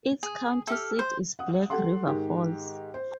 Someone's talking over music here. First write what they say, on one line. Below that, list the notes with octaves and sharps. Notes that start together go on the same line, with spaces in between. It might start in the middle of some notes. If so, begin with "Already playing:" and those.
Its county seat is Black River Falls.
G#4
E4 G4 A4 F6
C5
F#5 D#6
G4 A4 F#5 C6
G#2 D#3 G#3 G4
C5